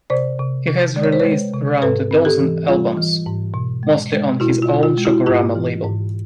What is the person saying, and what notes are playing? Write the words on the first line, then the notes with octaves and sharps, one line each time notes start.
He has released around a dozen albums, mostly on his own Shockorama label.
C3 C5 D5
C3
C3
G#3 D5
C#5
C5
B4 C#5
G#3
C3
G#2 A4 B4
C4
G4 A4
E3
G3 F4
E3
G#2
B2
G#3
G#3
B2 E4 F#4
F4
B2
F4
G#3
E4 F#4
G#2 F4 G4
E3
G#2